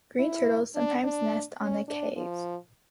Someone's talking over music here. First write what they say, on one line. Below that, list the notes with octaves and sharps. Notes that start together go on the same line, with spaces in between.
Green turtles sometimes nest on the cays.
E4
D4
D4
C#4
D4
F3